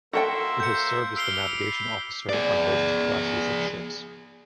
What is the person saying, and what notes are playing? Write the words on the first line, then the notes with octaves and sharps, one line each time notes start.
He has served as the navigation officer on most classes of ships.
A#3 F#4 A4 C5 E5 G5
G6 C#7
B5 D6 E6 F6 C7 G7
G#4 D5